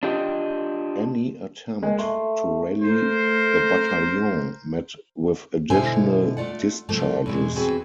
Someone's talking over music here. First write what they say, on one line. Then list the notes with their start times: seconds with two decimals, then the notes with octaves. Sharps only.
Any attempt to rally the battalion met with additional discharges.
0.03 D4 F4 G4 D#5
1.83 G#3 A#3
1.98 A3 C6
2.83 A3 A#4 C5
5.70 B2 D3 E4 C5 G#5
6.37 A3 F4 D5 F#5
6.89 C3 F3 A3 A#3
7.26 E2 B2 G#3
7.55 E2 C4 F#4 G#4 B4